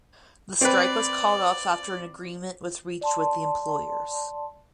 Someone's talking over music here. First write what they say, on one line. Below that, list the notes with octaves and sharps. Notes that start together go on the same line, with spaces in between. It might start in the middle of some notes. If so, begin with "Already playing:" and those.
The strike was called off after an agreement was reached with the employers.
C4 B4 D5
D5 A5 C6